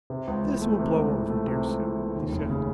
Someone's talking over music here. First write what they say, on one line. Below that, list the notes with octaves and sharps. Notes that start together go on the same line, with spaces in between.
"This will blow over, dear Sue," he said.
C3
C#2
E3
A3
C3
C#2
E3
A3
C3
C#2
E3
A3
D#2
F1
C#3